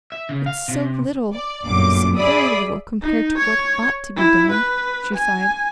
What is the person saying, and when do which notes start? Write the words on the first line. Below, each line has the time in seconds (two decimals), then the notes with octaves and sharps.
"It's so little--so very little compared to what ought to be done," she sighed.
0.12 E5
0.29 C#3
0.46 F5
0.68 C3
1.33 D5
1.65 G1 F#2 A#2 D6
2.17 G#4 D5 E5 B5 D#6
3.02 D#4
3.38 C#5
4.16 E4
4.51 B4
5.14 G#5